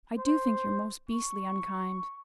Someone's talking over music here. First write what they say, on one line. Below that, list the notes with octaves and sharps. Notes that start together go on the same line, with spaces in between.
I do think you're most beastly unkind.'
C5
C#6